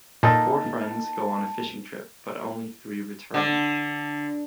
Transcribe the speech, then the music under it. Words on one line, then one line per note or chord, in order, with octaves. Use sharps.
Four friends go on a fishing trip but only three return.
A#2 A#3 D#4 A4 A5
D3